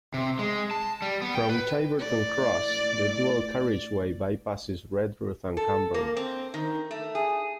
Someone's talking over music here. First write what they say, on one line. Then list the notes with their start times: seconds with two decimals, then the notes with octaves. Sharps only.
From Chiverton Cross, the dual carriageway bypasses Redruth and Camborne.
0.14 C3
0.39 G#3
0.71 A5
1.02 G3
1.22 B3
1.35 G5
1.49 B4
1.99 A2 D5
5.57 A4
5.94 A#3
6.17 C4
6.54 D#3
6.91 A3
7.15 G#4